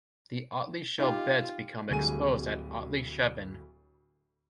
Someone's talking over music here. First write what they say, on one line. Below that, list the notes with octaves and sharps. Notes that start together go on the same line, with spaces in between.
The Otley Shell Beds become exposed at Otley Chevin.
D#4 F4 G4
D1 D2 G3 G#4 G#5 D#7